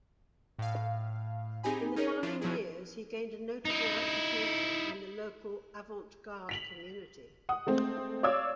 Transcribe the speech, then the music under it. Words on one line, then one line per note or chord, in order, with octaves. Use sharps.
In the following years, he gained a notable reputation in the local avant-garde community.
A2 F5
C4 D#4 G4 G#4 G#5 B5
C#4 D#4 G#4 A#4 C#5
F3 D4 E4 F4
B2 F3 F#3 E4 G#4
D#4 E4
B6 F7 F#7
F#5 D#6
G#3 A3 C4
C#5 D5 F5 D6 E6 G#6